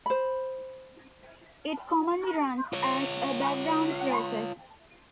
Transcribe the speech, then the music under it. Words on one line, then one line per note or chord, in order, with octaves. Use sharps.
It commonly runs as a background process.
C5 B5
F4 C#5